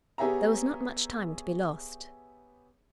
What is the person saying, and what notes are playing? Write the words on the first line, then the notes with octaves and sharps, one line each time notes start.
There was not much time to be lost.
B3 G4 G#4 C#5 E5 A#5